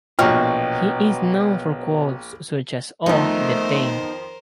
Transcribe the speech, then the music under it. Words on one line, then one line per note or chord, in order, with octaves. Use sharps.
He is known for quotes such as Oh, the pain!
A#1 B2 F#3 F4 G5 C#6 F6
F2 D#3 F3 A3 B3 D#4 A#4 C5